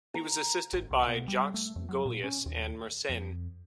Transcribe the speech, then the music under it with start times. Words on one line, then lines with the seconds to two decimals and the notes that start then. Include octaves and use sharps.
He was assisted by Jacques Golius and Mersenne.
0.14 A#5
0.73 G#1
0.91 C2
1.07 B2
1.28 G3
1.54 A3
1.76 F2
1.89 F#3
2.06 A#2
2.24 C#4
2.46 D#2
3.09 F2